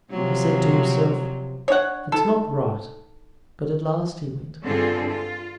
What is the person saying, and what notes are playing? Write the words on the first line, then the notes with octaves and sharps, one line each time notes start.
He said to himself: "It's not right." But at last he went.
C3 F3 F#3
D4 C#5 D5 E5 F#5
D#4 A4 B5
G2 D3 C4 F4 G#4 A4
F4